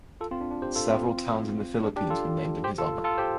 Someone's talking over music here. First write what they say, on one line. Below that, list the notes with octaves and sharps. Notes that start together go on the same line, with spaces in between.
Several towns in the Philippines were named in his honor.
F4 A4
C4 F4
D4
D4
G4 C5
F4 A4
C4 F4
D4
D4 G4
F4 A4
G4 C5
F4 A4
F4 A4
G4 C5